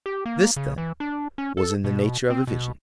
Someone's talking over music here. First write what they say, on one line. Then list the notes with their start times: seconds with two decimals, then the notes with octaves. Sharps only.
This, then, was in the nature of a vision.
0.06 G4
0.26 A#3
0.57 C#3
0.78 E3
1.00 D4
1.38 C#4
1.57 A4
1.84 B2
2.30 C4
2.47 B2